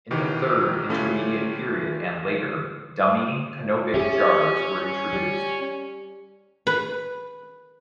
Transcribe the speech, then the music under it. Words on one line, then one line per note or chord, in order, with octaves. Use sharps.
In the Third Intermediate Period and later, dummy canopic jars were introduced.
B2 D#3 E3 G4
D3 A3 C#4 E4 F4 G4
C#4 G4 G#4 E5
G3
B4